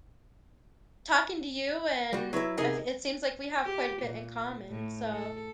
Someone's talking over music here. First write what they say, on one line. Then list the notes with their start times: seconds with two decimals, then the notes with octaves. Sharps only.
talking to you and I f it seems like we have quite a bit in common, so
2.13 G3 F#4
2.33 F#3 E4 B4 E5
2.57 C3 D#4 G#4 A#4 D#5
3.64 G4
4.02 A#2
4.68 A2
5.13 A4